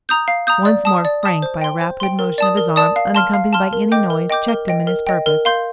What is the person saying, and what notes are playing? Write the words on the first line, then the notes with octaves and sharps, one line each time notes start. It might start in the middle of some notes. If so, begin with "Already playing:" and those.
Once more, Frank, by a rapid motion of his arm, unaccompanied by any noise, checked him in his purpose.
A#5 D#6 G6
F5
A#5 D#6 G6
D5
A5 D#6
D5
A5 D#6
C5
G5 C6
C5
G5 C6
A#4
D5 A5 D#6
A#4
D5 A5 D#6
F5
A5 C6 F6
F5
A5 C6 F6
A#4
D#5 G5 D6 G6
A#4
D#5 G5 D6 G6
A#4
D#5 G5
A#4
D#5 G5
A#4
F5 C6 G6